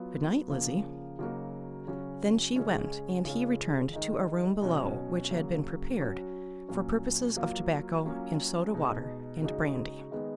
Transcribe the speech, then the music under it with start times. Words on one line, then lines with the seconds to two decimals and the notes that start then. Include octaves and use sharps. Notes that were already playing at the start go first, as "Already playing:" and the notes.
"Good night, Lizzie." Then she went, and he returned to a room below which had been prepared for purposes of tobacco and soda-water and brandy.
Already playing: F#3 B3 F4
0.50 C#3 F3 A#3
1.19 C#3 F#3 A#3 D#4 F#4
1.87 C#3 F#3 C#4 F#4
2.56 C#3 G#3 C#4
3.25 C#3 G#3 C#4 F4
3.93 D#3 G#3 D#4
4.62 B2 F#3 C#4 F#4
5.31 C#3 F#3 A#3
5.99 F#3 C#4 F#4
6.68 A#2 F#3 C#4
7.36 F#3 A#3 F4
8.05 F#3 A#3 C#4 F4
8.74 B2 G#3 D#4
9.43 C#3 G#3 D#4 F#4
10.11 D#3 G#3 B3 D#4